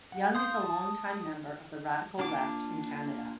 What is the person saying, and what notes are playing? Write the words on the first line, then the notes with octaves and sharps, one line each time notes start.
Young is a longtime member of the radical left in Canada.
F#5
F5 C6 D#6 G6
A5
A#3 D4 F4 D6